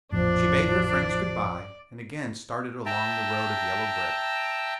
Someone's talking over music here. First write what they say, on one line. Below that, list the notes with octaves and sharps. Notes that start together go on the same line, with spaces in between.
She bade her friends good-bye, and again started along the road of yellow brick.
A1 F2 A#2 F3 D4 D5
E5 G5 A5 A#5